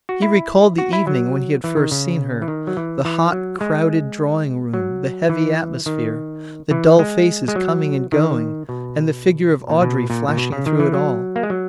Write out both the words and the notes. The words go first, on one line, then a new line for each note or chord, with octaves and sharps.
He recalled the evening when he had first seen her--the hot, crowded drawing-room, the heavy atmosphere, the dull faces coming and going, and the figure of Audrey flashing through it all.
F#4
E4
F#4
E4
F#3
E3
D#3
C#3
E3
D#3
F#3
E3
E3
F#3
G#3
F#3
E3
D#3
E3
G#3
G#3
F#3
D#3
B2
A#2
B2
A#2
A#2
B2
C#3
D#3
E3
F#3
A#3
G#3
F#3